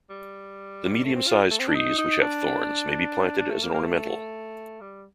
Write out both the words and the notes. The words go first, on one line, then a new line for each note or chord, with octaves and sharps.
The medium sized trees which have thorns, may be planted as an ornamental.
G3
A3
C4
F4
A3
C4
D4
D#4
D#4
D4
D4
A3
A#3
A#3
A3
G3